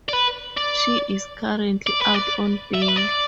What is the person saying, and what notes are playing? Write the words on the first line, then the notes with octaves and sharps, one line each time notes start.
She is currently out on bail.
D5
B4
D5
D5
B4
D5
E5
D5
B4
D5